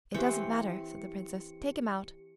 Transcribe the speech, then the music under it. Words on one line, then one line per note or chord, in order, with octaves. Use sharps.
'It doesn't matter!' said the Princess. 'Take him out!'
E3 C4 G4 G5 C#7